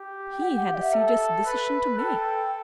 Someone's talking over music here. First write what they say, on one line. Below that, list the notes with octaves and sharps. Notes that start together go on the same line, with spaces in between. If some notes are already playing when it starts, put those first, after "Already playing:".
He had a serious decision to make.
Already playing: G4
G5
G4 F#5
G5
F#5
D5
E5
A4
B4
A4 G5